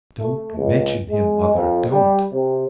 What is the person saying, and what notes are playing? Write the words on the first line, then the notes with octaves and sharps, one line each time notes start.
'Don't mention him, mother, don't!'
A3
C#2
G#3
F2
G3
C3